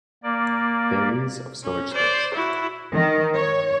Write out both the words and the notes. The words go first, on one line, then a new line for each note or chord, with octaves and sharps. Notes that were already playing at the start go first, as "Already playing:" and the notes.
There is of storage space.
A#3 D5
C#4
C5 D5
E4 F#4
D#3
C#5